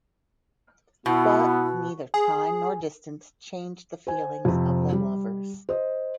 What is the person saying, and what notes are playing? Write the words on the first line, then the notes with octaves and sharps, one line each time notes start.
But neither time nor distance changed the feelings of the lovers.
B2 B3 E4 F#4
G#4 G#5
C5 G#5
F2 C3
G3
C5 D#5